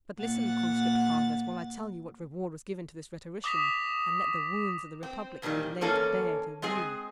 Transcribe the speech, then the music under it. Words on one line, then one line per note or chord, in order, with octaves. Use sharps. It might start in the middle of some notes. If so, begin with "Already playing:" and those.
But listen, Conscript Fathers, while I tell you what reward was given to this rhetorician, and let the wounds of the republic be laid bare to view.
A#2 F#5 A6
D6 D#6 A#6 B6 F7
C4
F2 A#2 D3 D#3 G3
E2 A#3 C#4 A4
G#3 C4 G#4 G#5